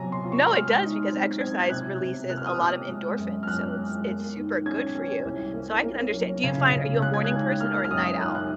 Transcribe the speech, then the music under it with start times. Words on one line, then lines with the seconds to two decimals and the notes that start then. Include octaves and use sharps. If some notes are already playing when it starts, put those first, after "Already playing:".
No, it does, because exercise releases a lot of endorphins, so it's it's super good for you. So I can understan do you find are you a morning person, or a night owl?
Already playing: C3 F#3 G#5 A#5
0.12 C6
0.23 F4
0.32 C#6
0.51 G#3 F6
0.81 D#4
1.12 C4
1.41 C4 G#6
1.59 G#6
1.70 C3 F#6
2.00 C3
2.30 A#3 F#6
2.37 F6
2.46 D#6
2.55 A#3 F6
2.89 G#3
3.19 F#2
3.43 F6
3.47 F#2 F#6
3.78 G#3
4.07 A#3
4.37 D#3
4.66 C#4 G#6
4.95 C#4
5.25 C2
5.54 A#3
5.83 A#3
6.14 F#3
6.44 C#3
6.72 C#3
7.02 G#3 F#6
7.14 G#6
7.24 F#6
7.31 D#4
7.61 A#3 F6
7.85 F6
7.91 F#2 D#6
8.20 D#3 F#6
8.35 F#6